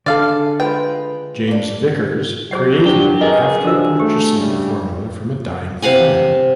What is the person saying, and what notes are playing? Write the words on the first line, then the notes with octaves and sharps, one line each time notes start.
James Vickers created it after purchasing the formula from a dying friend.
D3 A4 D5 F5
G#4
G#3 F4 B4 G5
A#3 D4
F#3 G#4 C5 F#5
D4 G4
C2 G#4 A#4 B4 D#5
G2 D4 F#4 A4 C5 E6
A3 G4
C#3 G3
C3 F5 F#5 G#5